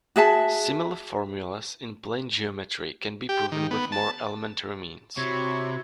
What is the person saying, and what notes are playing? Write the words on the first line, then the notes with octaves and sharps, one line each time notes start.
Similar formulas in plane geometry can be proven with more elementary means.
F#4 G#4 E5 A5
G4
D#3
B3
A5
C3 E4 F#4 C#5 C#6